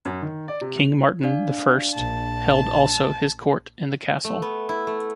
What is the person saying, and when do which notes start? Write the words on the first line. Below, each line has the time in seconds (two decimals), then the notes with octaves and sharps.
King Martin the First held also his court in the castle.
0.05 F#2
0.22 D#3
0.48 D5
0.61 C3
0.78 F7
1.24 D4 D5 F5
1.95 A#1 A5
4.25 A3
4.42 B3
4.69 E4
4.87 A3